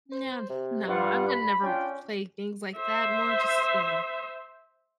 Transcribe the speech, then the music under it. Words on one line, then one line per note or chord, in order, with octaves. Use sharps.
no no, I would never play things, like, that, more just, you know,
C5
C3
G2 G3 F4 F#5
B5
C#4 D4 F4 G5
C5 E5